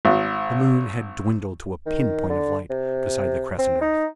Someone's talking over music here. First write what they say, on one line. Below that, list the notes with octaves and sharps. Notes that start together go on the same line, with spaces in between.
The Moon had dwindled to a pin point of light beside the crescent Earth.
G#1
D#3
D3
C3
C4
D#4